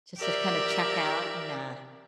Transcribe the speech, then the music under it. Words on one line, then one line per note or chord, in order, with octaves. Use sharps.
Just to kind of check out, and, uh
G4 A#4 D5 E5